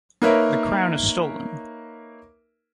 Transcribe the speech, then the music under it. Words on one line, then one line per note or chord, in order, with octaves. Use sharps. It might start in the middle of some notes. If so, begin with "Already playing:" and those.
The crown is stolen!
A#3 D#4 A#4 B4 C#5 E5